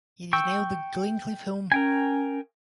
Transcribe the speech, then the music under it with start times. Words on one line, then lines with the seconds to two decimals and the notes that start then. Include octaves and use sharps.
It is now the Glencliff Home.
0.33 G5 C#6 E6
1.72 C#4 A#4 G5 G#5